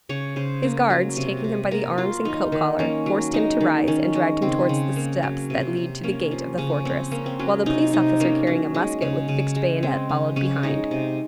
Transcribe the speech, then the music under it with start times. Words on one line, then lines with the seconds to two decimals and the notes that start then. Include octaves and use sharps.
His guards, taking him by the arms and coat-collar, forced him to rise, and dragged him towards the steps that lead to the gate of the fortress, while the police officer carrying a musket with fixed bayonet followed behind.
0.09 C#3 C#5
0.36 C#3 C5
0.63 A#3
0.90 F#3
1.17 C3
1.44 C3
1.71 A#3 A#4
1.98 F#3 F4
2.25 D#3 D#4
2.52 D#3
2.79 A#3 C#4
3.06 F#3
3.33 G#3 D#4
3.61 D#3
3.88 D#3 C#4
4.15 G#3
4.42 C#3 C4
4.69 C#3
4.96 A#3
5.23 F#3
5.50 C3
5.77 C3
6.03 A#3 C#4
6.31 F3
6.58 C#3 C#4
6.85 C#3 C4
7.12 A#3 C#4
7.26 C4
7.39 F#3 C#4
7.66 C3 D#4
7.93 C3 D#4
8.20 A#3 C#4
8.47 F#3
8.74 G#3
9.02 C#3
9.28 C#3
9.56 G#3
9.83 G#3 C4
10.09 C#3
10.36 C#3 C#4
10.63 G#3 D#4
10.91 C3